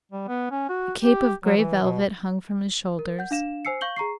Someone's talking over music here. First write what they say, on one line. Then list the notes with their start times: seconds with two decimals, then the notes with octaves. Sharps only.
A cape of gray velvet hung from his shoulders.
0.12 G3
0.28 B3
0.51 C#4
0.69 F#4
1.02 G4
1.45 F#3
1.57 E3
1.83 B2
2.99 A#4
3.19 F#5 G6
3.31 D4 F5 E7
3.65 C5 G#5 E6 C7 C#7
3.81 F5 C#6 G6 F#7 G7
3.96 G#4 A#5 C#6 C7